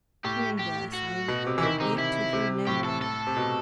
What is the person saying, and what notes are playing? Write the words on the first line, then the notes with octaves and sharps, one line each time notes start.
Hearing this, I wait to hear no more.
A2 G4
G4
F#4
B2
C3
E3
D#3 E4
C3 D#4
E4
C3
A2 G4
A4
A4
C3
B2